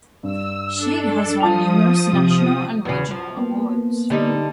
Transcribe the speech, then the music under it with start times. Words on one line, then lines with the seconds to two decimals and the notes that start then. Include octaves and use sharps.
She has won numerous national and regional awards.
0.23 G2 E6
0.75 D4 A4
1.40 F3 F4 A5 D#6 F7
2.12 C3
2.85 E2 C#3
3.11 F3
3.37 A#3 B3
4.10 D3 G3 D#4